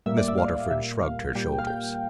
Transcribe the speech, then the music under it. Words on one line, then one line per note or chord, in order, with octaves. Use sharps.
Miss Waterford shrugged her shoulders.
A2 G3 A#3 E5
D5
E5
F5
A#2 G3 A#3 E5
F5
A#2 G3 A#3 G5
F5
G5